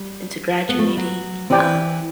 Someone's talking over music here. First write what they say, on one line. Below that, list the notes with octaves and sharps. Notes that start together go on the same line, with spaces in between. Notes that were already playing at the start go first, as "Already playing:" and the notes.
into graduating, um
Already playing: G3
B3
A3
G3
F#3
E3 C4 G4 D5 G5